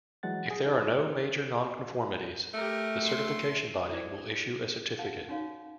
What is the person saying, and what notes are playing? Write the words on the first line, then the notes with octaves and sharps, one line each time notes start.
If there are no major nonconformities, the certification body will issue a certificate.
E3 F#3 G#3 F#5 A6
G#4
D#4
A3 G4 A#4
C6
E4 G#4 C5 D5
F5 F#5 A5
C#4 D#4 F#4 C#5 F5